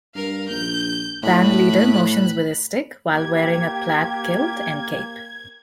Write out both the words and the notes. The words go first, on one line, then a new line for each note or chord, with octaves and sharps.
Band leader motions with a stick while wearing a plaid kilt and cape.
G2 A#4 F5
A#1 G6
A2 B5 F#6
A#3 G4 G5 G#6